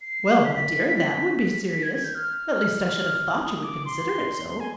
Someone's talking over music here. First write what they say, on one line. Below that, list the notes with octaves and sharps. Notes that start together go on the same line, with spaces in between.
"Well, my dear, that would be serious; at least I should have thought you would consider it so."
C7
B6
B6
G#6
G#6
G6
F6
D#6
D6
C6
G#5